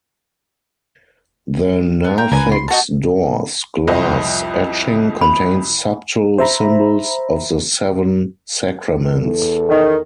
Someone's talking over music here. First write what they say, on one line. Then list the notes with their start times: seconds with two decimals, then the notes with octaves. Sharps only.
The Narthex doors' glass etching contains subtle symbols of the seven Sacraments.
2.04 B3
2.18 A#4 G5
2.32 C#2 A#4 B4 G#5
2.52 C6
2.68 D#4 F#4 A5
3.87 C2 F2 D#5
5.21 B5
6.38 C5 E5 A#5 B5
9.12 E2 A4
9.69 D#3